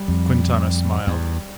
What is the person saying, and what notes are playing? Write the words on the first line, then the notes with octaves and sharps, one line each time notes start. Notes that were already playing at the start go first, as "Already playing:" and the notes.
Quintana smiled.
Already playing: G3
F2
E2